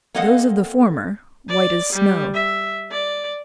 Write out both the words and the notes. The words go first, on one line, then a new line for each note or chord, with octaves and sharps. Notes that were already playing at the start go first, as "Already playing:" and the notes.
Those of the former white as Snow.
A#3 C4 A4 D#5 F5 F#5
D5
G3
E5
D5